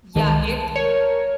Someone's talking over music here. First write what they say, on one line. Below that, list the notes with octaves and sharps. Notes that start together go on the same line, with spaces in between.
Yeah, it
C2 D#3 G#3 A5
A#4 C#5